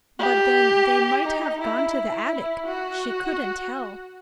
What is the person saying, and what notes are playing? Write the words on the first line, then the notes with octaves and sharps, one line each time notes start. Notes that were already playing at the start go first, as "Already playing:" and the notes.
But then they might have gone to the attic--she couldn't tell.
G4
D#4
E4
E4
F#4